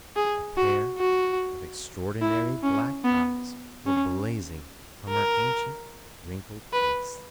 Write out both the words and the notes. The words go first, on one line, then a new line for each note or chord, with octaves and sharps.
A pair of extraordinary black eyes were blazing from her ancient, wrinkled face.
G#4
F#4
F#4
E4
C#4
B3
C#4
A#4
B4